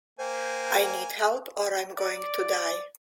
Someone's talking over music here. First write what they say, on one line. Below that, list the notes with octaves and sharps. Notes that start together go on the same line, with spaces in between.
I need help or I'm going to die.
A#3 C5 G5 G#5
D5